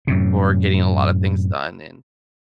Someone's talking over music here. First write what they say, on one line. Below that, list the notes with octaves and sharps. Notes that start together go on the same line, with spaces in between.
for getting a lotta things done and
F#2 A2 C3